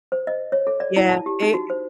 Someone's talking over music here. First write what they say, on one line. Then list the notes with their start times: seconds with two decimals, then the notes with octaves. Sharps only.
Yeah. It
0.12 C5
0.27 D#5
0.52 C#5
0.67 A4
0.80 D5
0.96 E4
1.09 A5
1.26 G4
1.42 D#4
1.54 F#4
1.70 C5